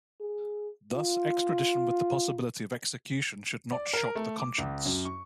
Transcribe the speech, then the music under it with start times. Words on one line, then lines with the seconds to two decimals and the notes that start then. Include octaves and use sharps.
Thus, extradition with the possibility of execution should not shock the conscience.
0.21 G#4
0.95 F4
3.72 D5
3.93 A#4
4.16 A3
4.40 D6
4.58 C#2
4.85 F#2
5.05 C#6